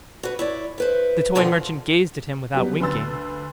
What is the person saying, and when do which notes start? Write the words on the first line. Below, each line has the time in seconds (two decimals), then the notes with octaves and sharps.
The toy merchant gazed at him without winking.
0.23 F#4 B4
0.39 E4 C#5 D5
0.78 E4 B4 C5
1.35 B2 D3 D#3 C4 F4 G#5
2.54 F#3 G3 B3 G4
2.80 D2 B4 C6 E6 A6